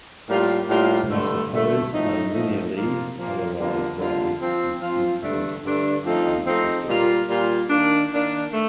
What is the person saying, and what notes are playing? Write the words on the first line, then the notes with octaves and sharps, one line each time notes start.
Now suppose a linearly polarized wave is incident on the crystal.
A2 G3 A#3 F4
A2 G3 A#3 F4
G2 D3 A3
G2 D3 A3
A2 F3 A3 D#4
A2 F3 A3 D#4
A#2 F3 A#3 F4
A#2 F3 A#3 F4
D3 G3 A#3 F4
D3 G3 A#3 F4
F3 C4 F4
F3 C4 F4
G2 D3 A3 D4
G2 D3 A3 D4
F3 A3 C4 D#4
F3 A3 C4 D#4
A#2 G3 A#3 F4
A#2 G3 A#3 F4
D#3 A#3 D4
D#3 A#3 D4
A3